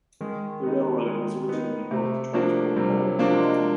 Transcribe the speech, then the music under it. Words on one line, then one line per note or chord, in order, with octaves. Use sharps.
The railroad was originally built to transport coal.
D#3 G#3
B3 D#4
G#3
B3 D#4
C3 A3
F3 A#3 D4 F#4
C3 G3
F#3
F3 A#3 D4 F#4
G#3